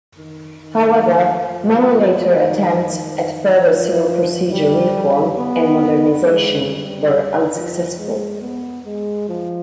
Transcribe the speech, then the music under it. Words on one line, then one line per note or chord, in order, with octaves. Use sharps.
However, many later attempts at further civil procedure reform and modernization were unsuccessful.
D#3
D#3
F3
F3
D#3
D#3
F3
G3
B3
G#3
G3
F3
G#3
B3
G#3
F3